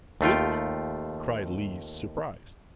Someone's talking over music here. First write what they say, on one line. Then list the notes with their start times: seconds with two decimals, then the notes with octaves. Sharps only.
"Really?" cried Lise, surprised.
0.21 D#2 A3 F4 G5